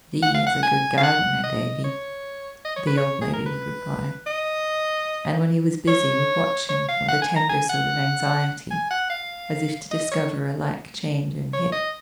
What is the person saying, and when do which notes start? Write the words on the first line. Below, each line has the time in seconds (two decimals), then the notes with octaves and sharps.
"Thee is a good gardener, Davy," the old lady would reply, and when he was busy would watch him with a tender sort of anxiety, as if to discover a like change in him.
0.22 F#5
0.34 F5
0.47 F#5
0.63 G#5
0.97 F5
1.03 F#5
1.43 D#5
1.84 C#5
2.65 D#5
2.76 C#5
2.87 B4
2.97 C#5
3.21 G#4
3.33 A#4
3.46 B4
4.26 D#5
5.88 C#5
6.69 C#5
6.88 F5
7.08 F#5
7.22 G#5
7.36 A#5
7.49 G#5
7.69 F#5
8.71 G#5
8.90 F#5
9.10 F5
9.91 D#5
10.11 C#5
11.53 C#5
11.72 D#5